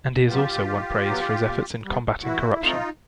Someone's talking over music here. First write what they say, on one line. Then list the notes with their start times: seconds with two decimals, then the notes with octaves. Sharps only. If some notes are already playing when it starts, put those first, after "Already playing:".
And he has also won praise for his efforts in combatting corruption.
0.28 F#3 B3 F4 G4
0.67 D#3
1.05 F#3 B3
1.45 A#2
1.84 G3 B3
2.23 E3 E4 F#4
2.51 E4
2.62 A3 C4 D#4 F4